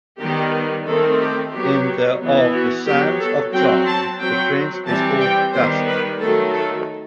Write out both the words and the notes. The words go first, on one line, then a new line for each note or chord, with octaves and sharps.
In the of "The Sands of Time", the prince is called Dastan.
D#3 G3 B3 G4
D#3 A3 C4 A4
G4
F#3 B3 G4
E3 B3
F#4
F#3 B3 G4
A4
F#3 C4 G5
A5
F#3 C4 G5
E3 G3 C4 A5
G5
D#3 G3 B3 C5
B4
D#3 F#3 A3 A4
A4